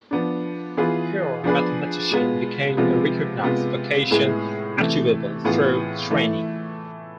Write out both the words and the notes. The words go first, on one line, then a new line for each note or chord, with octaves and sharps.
Pure mathematician became a recognized vocation, achievable through training.
F3 B3 D4
E3 B3 F4 G#4 B4
F3 B3 D4 G#4 B4
B2 G#3 B3 F4
C3 F3 G#3 B3 F4
C3 G#3 B3 F4
A2 G#3 B3 E4 G#4
C3 E3 A3
A2 E3 B3 F4 G#4
E3 A3 E4